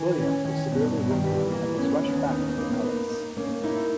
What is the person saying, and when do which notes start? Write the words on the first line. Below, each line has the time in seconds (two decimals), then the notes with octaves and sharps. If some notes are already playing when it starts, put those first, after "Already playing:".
William was severely wounded and was rushed back to the palace.
Already playing: D#3 E3
0.18 C#4
0.44 D#3 C#4
0.71 G2 B2
0.97 G2 B2
1.11 D#3
1.24 E3 G3
1.50 E3 A#3
1.77 B3 C#4
2.04 D#2 B3
2.15 C#4
2.26 B3 D#4
2.37 C#4
2.48 B3
2.57 A#3 C#4
2.71 B3
2.83 D#4
3.10 A#3 D#4
3.37 A#3 C#4
3.63 D#4 E4